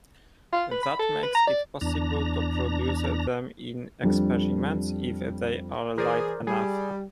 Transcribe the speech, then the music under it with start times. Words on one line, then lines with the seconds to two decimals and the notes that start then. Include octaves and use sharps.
That makes it possible to produce them in experiments if they are light enough.
0.53 F4
0.71 B4
0.83 B5
0.99 A4
1.23 B4
1.35 A#5
1.47 D5
1.81 E2 D4 A#5
4.03 F2 G3 D4 A4
5.98 E3 G#4 A#4 C5 D5
6.47 G3 G#4